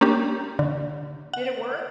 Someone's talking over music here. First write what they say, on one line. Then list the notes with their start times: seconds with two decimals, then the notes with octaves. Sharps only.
Did it work?
0.01 A#3 C#4 D4 G4
0.59 D3
1.33 F#5